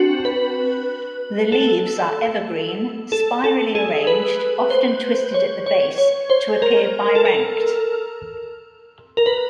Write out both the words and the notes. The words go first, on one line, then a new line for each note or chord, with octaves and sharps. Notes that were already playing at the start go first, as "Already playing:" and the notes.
The leaves are evergreen, spirally arranged, often twisted at the base to appear biranked.
Already playing: C4 D4 F#4
B4
A4
A4
A4
G#4
B4
C5
C#5
C#5
C#5
C5
A#4
A4
A#4
A#4
B4